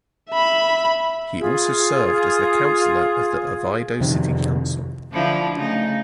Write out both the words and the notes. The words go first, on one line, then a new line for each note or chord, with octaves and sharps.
He also served as the councilor of the Oviedo City Council.
E5 B5
F4 G#4
F2 C3 D#3
D3 F3 E4
C#3 A3 D#4